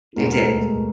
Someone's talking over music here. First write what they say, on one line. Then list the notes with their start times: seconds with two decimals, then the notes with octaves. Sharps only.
They did.
0.16 B2 G#3 A#3 B3 A#4
0.33 A#4
0.39 A3 A4
0.61 G#3 G#4